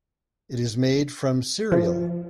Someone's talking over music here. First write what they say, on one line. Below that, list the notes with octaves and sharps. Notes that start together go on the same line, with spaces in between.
It is made from cereal.
F3